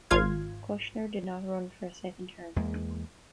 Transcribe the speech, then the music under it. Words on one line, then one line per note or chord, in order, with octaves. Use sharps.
Kushner did not run for a second term.
G#1 F4 F5 G#6
E2 G#3 A#3